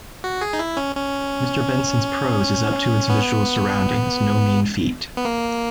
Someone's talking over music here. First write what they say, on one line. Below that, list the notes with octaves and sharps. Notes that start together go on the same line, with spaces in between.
Mr. Benson's prose is up to its visual surroundings, no mean feat.
F#4
G#4
D#4
E4
C#4
C#4
B3
B3
A#3